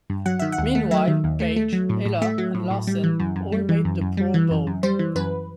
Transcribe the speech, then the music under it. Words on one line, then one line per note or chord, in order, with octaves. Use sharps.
Meanwhile, Page, Eller and Larsen all made the Pro Bowl.
G2
F#3 F#5
D#3 E5
F#5
D#2
A3
F#3 E5
D#3
D#2
A3
A3
F#3
A2
A2
A3 E5
F#3
A2
A2
G3
E3
F#2
F#2
G3
E3
F#2
F#2
G3
E3
F#2
F#2
G3 C5
E3
F#2 B4